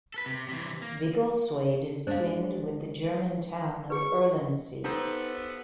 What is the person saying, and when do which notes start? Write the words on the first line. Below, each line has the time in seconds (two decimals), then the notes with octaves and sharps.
Biggleswade is twinned with the German town of Erlensee.
0.14 A4 B4
0.26 C3
0.49 C3 E3
0.82 A#3
2.07 G#3 D4 C5 F5
3.90 G#4 B4 C#6
4.84 B3 D#4 G4 A4 C5